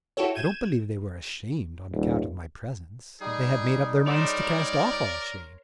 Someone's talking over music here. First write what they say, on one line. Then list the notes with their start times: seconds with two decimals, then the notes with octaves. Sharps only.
I don't believe they were ashamed on account of my presence: they had made up their minds to cast off all shame!
0.17 E4 F#4 G4 A4 C#5
0.35 G6 G#6 D#7 E7
1.92 D#1
3.21 G3 D#4 G#4
4.07 A#4 C#5 D5 C6